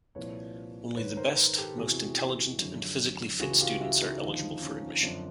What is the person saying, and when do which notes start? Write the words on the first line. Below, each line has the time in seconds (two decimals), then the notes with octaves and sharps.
Only the best, most intelligent, and physically fit students are eligible for admission.
0.15 C2 A#2 F3 B4 C#5
0.97 G#2 D#3 B4 C#5
1.17 A#4 C5
1.58 G4 A4
1.78 E2 C3 E3 F#4 G#4
2.59 F#2 D3 F3
3.40 C#2 C#3 E3 F#4 G#4
3.61 F4 G4
3.81 E4 F#4
4.01 D#4 F4
4.21 D#2 D3 F3 D#4 F4
4.41 D#4 F4
4.62 C#4 D#4
5.03 F#2 D3 F3 C4 D4